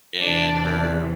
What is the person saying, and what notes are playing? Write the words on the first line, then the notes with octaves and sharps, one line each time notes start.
and her
E2 C3 E3 D4 D5